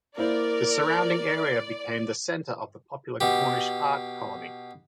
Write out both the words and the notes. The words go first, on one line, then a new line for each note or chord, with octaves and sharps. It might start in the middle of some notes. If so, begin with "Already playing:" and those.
The surrounding area became the center of the popular Cornish Art Colony.
A#3 E4 A#4 C5 D5
B2 G4